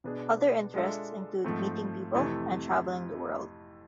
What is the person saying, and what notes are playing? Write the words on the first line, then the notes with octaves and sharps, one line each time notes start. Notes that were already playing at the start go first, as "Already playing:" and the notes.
Other interests include meeting people, and travelling the world.
B2 B3 D4 G#4
G#3 D4 F4 A4 E5
G#2 F3 A3 C4
F2 C3 E3 A3